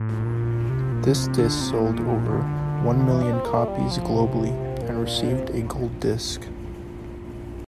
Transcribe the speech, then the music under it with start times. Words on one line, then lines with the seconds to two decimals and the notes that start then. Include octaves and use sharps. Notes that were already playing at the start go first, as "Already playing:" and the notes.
This disc sold over one million copies globally, and received a gold disc.
Already playing: A2
0.24 A#2
0.69 C3
0.92 A#2
1.08 D3
1.15 C3
1.38 D3
1.61 C3
1.73 A#2
1.84 A#2
1.96 A#2
2.08 A#2
2.31 D3
2.99 D3
3.11 E3
3.22 D4
3.33 C4
3.45 A#3
3.56 A3
3.68 G3
3.79 G3
3.91 F3
4.14 C3
4.82 A#2
5.06 A#2
5.24 D3
5.29 C3